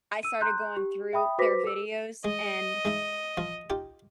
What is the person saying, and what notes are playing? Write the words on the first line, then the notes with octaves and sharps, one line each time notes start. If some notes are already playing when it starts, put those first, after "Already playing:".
I started going through their videos and,
E6 D#7
A#5 C6 F#6 G6
G4
E5 G5 B5 D#6
F#4 B4 C5 D6 A#6 B6
A4 E6
G#3 D#5
G#3 D#4 E5
F3 F4
D#4 F4 G4